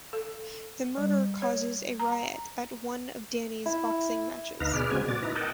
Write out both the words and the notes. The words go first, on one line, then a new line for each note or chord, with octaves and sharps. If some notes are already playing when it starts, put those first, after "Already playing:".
The murder causes a riot at one of Danny's boxing matches.
A4
G3
C#5
A#5
E4
D2 D#4 B4 F5 A#5
B2 G#4 B4 D5 F6
C#3 G#3 C4 F#4 G#5
A#2 F#4 D5 A6
D#4 E4 B4 A#5
A#4 D#5 F#5 G5 A5